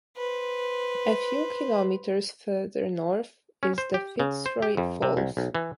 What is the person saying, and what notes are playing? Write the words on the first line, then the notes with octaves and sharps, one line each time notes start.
A few kilometers further north is the Fitzroy Falls.
B4 C5
C#4
C5
G4
C#3
C5
G4
F2
C3
C2
B1
E3